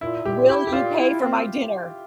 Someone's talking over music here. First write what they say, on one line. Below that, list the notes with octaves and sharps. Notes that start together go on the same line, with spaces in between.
"Will you pay for my dinner?"
A#2 E4
A#2 G4
E4 G4
G4
A#2 F4
E4
C4